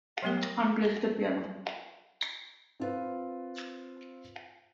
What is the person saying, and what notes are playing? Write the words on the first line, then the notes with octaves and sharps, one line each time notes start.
Han plays the piano.
F#3 G3 A3 B3 G4 A#4
C4 F4 B4